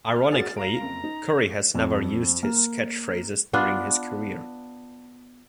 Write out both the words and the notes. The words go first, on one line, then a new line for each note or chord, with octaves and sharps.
Ironically, Curry has never used catchphrases during his career.
F6
F#4 G#4 A#4 A6
F5 A#5 D7
F#1 F2
D#4
F2
A#3
B3 D4 F4